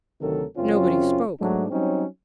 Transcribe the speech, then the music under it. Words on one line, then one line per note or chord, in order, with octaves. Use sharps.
Nobody spoke.
D2 C3 D#3 F#3 A4 A#4
F#2 C#3 C4 C#4 F4
G#2 F#3 A3 D4 D#4
F#3 G3 C4 C#4 D#4